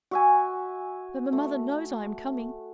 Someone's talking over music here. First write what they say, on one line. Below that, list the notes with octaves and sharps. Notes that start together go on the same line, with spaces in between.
But my mother knows I am coming?'
F#4 E5 G#5
A3